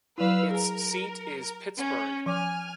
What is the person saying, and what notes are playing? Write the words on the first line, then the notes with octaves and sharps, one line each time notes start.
Its seat is Pittsburg.
F#3 E4 B4 F5 E6
G#4 A#4
C#4
F3 G#5 D6 F6